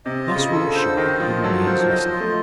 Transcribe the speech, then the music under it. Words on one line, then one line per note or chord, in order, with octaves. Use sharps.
Thus reassured he remains listening.
C3 D#5
F4
C#3
A4
D3
C5
D#3 D#5
F3 F4
F#3 A4
F3 C5
F3 D#5
F4
A3